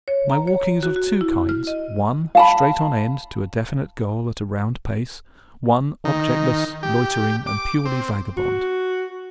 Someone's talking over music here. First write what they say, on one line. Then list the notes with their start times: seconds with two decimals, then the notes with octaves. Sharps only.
My walking is of two kinds: one, straight on end to a definite goal at a round pace; one, objectless, loitering, and purely vagabond.
0.08 C#5
0.30 A#5
0.47 C#5
0.83 F#4
0.96 F#4
1.21 E4
1.49 F6
1.67 D#5
2.35 F5 A5 B5
6.05 D#3
6.83 G4
7.47 D6
7.85 C4
8.37 F#4